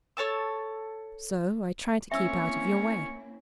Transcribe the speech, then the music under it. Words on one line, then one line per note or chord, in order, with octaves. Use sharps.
So I tried to keep out of your way.
A4 C#5 A5 E6
A#3 C4 C#4 E4 E5 C#6 E6